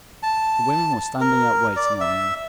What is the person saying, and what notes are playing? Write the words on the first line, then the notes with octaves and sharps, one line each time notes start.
The women were standing up waiting on them.
A5
A#4
D5
E5